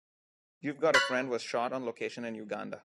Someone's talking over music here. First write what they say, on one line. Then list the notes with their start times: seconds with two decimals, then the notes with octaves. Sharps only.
"You've Got a Friend" was shot on location in Uganda.
0.94 C#5 B5 F6 F#6 A6 B6